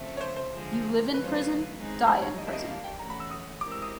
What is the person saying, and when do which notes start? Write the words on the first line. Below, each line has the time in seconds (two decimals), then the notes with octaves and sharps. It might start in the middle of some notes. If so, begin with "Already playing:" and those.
You live in prison, die in prison.
Already playing: C#3 F3 A3 C4
0.17 C#5
0.21 C5
0.36 C5
0.52 D3 F3 G#3
1.14 D#3 F#3 A3 C#4 F4 B4
1.24 C5
1.34 B4
1.76 D#3 G#3 C4 D#4 G#4
2.07 C5
2.22 C#5
2.38 D#3 G3 A#3 D4 D#5
2.48 E5
2.53 D#5
2.68 F5
2.84 G5
2.99 E3 A3 C#4 F#4 A#5
3.10 B5
3.20 E6
3.31 D#6
3.61 G#3 C4 E4 G4 A#4 D6
3.72 E6
3.82 D#6